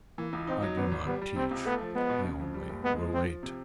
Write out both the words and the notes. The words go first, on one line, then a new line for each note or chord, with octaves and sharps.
I do not teach; I only relate.
E3 A#3
C#2
C4 D#4
F#3
G#1 B3
G#1
G3 B3
G3
C3 C4
C#2
A3 B3
F3
G#3 B3
B2
C#3
F2
G3
F#1
G#3 B3
F3
F3 C4
F3
C3